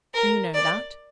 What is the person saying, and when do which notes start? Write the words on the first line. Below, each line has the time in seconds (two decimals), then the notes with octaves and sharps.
You know that.'
0.14 A#4
0.54 D5